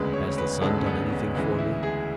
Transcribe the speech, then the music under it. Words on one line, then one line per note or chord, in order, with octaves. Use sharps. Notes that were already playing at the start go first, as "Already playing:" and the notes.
Has the sun done anything for me?
Already playing: E1 D2 C#3 G#3 B4
C#5
B4
E1 D2 C#3 G#3 A4
C#4
B3
C#4
D2 C#3 E3 G#3
E4
G#4